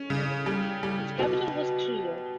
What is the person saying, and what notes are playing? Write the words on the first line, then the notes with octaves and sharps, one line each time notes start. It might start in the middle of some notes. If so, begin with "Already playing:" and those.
Its capital was Trier.
Already playing: C#4
C#3
G3
G3
B2